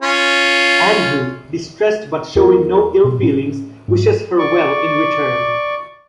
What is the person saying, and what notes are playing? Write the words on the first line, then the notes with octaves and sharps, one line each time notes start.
Andrew, distressed but showing no ill-feelings, wishes her well in return.
C#4 F4
E2 F4 A#4
B2
A2 C#4
G#2
D5 C#6